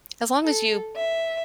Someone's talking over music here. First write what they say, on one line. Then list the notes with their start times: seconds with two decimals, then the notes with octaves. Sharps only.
as long as you
0.43 A4
0.95 E5